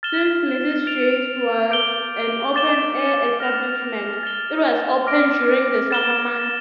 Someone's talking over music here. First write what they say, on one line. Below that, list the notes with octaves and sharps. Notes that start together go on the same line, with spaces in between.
Since Mrs. Jay's was an open-air establishment, it was open during the summer months.
F6 A6 E7 G7
A6 D7 F7
D6 G6 D7 G7
D6 A6 E7 G7
D6 F6 A#6 F7
A6 E7 G7
D6 F6 A#6 D7
A6 E7 G7